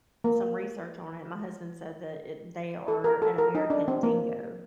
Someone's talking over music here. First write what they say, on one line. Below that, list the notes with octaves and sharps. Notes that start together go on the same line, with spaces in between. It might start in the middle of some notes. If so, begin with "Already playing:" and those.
some research on it, my husband said that it they are an American Dingo.
A#3
A4
A#4
A4
A#4
D#4
D4
C4
A#3